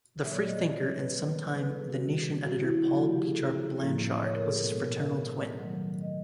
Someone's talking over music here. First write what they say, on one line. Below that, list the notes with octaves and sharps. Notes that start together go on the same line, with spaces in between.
The freethinker and sometime "The Nation" editor Paul Beecher Blanshard was his fraternal twin.
A#2 F#3 A#3 E5
C#5
D5
D#5
D5
D5
C#5
B4
D#3 G3 B3
B4
A4
G#4
F#4
C3 D#3 G3
F#4
E4
E4
C#3 F3 A3 F#4
F4
G4
G#4
A4
G#4
A2 F3 A#3
C#5
A#4
A4
G#4
B2 G#3 B3 A4
A#4
E5
D#3 F#3 A3
D#5